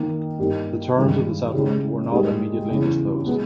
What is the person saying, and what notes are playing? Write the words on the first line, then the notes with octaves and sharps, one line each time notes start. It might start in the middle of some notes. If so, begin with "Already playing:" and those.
The terms of the settlement were not immediately disclosed.
Already playing: D#3 A#3 D#4
G2 G3 A#3 D#4
G2 D#3 G#3 D#4
C#3 G#3 D#4 G4
G#2 G3 A#3 D#4 G#4
E2 C#3 E3
B2 G#3 B3